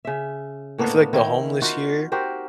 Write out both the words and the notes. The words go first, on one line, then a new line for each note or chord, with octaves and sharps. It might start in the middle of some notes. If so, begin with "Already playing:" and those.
I feel like the homeless here
C#3 E5
A2 A#3 B3 D4
D#3 C4 E4
D#4 F4 F#4
F#4 G4 A#4 C5